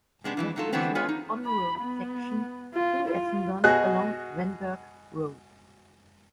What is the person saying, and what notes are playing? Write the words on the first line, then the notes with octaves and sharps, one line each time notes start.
There is a short on road section through Essendon along Vanberg Road.
C3 G#3 B3 D4
F2 E3 E4
F#3 A3 D#4 F4 A4
D3 E3 F#3 A3 B3 C4
B3 F4 G#4 B4 C#5
D#4
B5
B3
F4
F4
B2 F#4 G#4 D#5 F#6